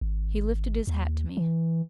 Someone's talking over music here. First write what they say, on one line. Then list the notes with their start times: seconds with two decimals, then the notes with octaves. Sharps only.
He lifted his hat to me.
0.01 G#1
0.87 D#2
1.37 E3